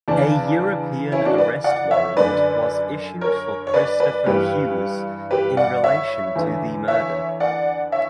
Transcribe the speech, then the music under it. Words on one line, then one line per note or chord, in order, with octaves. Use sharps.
A European Arrest Warrant was issued for Christoper Hughes in relation to the murder.
E2 C#3 E3 D4
C#4 E4
D4 F#4
B4 D5
D5 F#5
C#5 E5
F#2 D3 B4 D5
A#4 C#5
C#5
B4 D5
B4 D5
G2 E3 G4 B4
G4 B4
D5 F#5
C#5 E5
E2 D3
C#5 E5
D5 F#5
C#5 E5